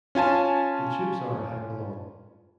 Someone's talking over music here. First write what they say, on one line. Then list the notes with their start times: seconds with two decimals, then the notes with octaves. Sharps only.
The tubes are Hypalon.
0.15 C#4 F4 G#5 A5